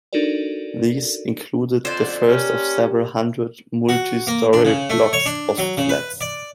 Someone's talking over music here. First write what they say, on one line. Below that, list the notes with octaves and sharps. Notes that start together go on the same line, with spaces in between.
These included the first of several hundred multi-storey blocks of flats.
D4 D#4 F#4 A4 A#4 D5
F2 B2 D3 C5 D5
A#3 C#4 G4
F#4
A#3
D4
C#3
A3
C#5
D4
F#3
C#3
B4
D5